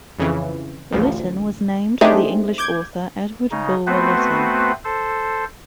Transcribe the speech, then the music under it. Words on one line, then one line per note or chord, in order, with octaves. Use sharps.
Lytton was named for the English author Edward Bulwer-Lytton.
F2 C#3 E3
A1 D2 F3
A3 C4 D4 D#4 G4 G#4
D6 G6 G#6
C#3 D#4
A3 B3 C4 F#4 B4 C5
A4 C5